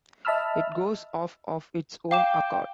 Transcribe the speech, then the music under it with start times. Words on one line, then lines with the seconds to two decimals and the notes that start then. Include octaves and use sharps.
It goes off of its own accord.
0.25 D#5 E5 A5 B5 E6 F6
2.11 F5 G5 D6 E7